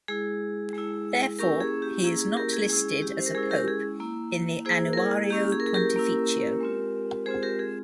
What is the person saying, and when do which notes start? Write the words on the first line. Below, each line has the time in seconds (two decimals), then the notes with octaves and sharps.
Therefore, he is not listed as a pope in the "Annuario Pontificio".
0.08 G#3 E4 G#4
0.73 G#3 E4
1.39 A#3 C#4 E4 G4 A#4
1.61 G#4
1.82 G4
2.04 A#3 C#4 E4 G#4
2.21 G#4
2.37 G4 A#4
2.53 G#4
2.69 G#3 C#4 E4 G#4
3.02 G4
3.18 C5
3.26 A#4
3.35 G#3 C#4 E4 G#4
3.43 C5
3.51 G4 A#4
3.68 G#4
4.00 A#3 E4
4.65 A#3 E4 G#4 C5
4.93 A#4
4.97 G#4
5.30 A#3 C#4 E4 G4
5.52 G#4
5.60 A#4
5.66 G#4
5.74 G4 A#4
5.96 A#3 C#4 E4
6.61 G#3 C4 F4
7.26 G#3 C4 F4 G#4 C5
7.43 G4 A#4
7.59 G#4